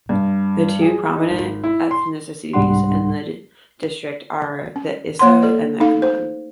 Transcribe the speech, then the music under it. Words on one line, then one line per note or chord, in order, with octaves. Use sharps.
The two predominant ethnicities in the district are the Iteso and the Kumam.
G2
G#4
D#4
G#1
E4
C6
C2 G#2 G3 D4 F#5 C6
C#4
A#3 C#5 F#5 C6
A4 D5
A3 C#4 D#4 A4 F5
C5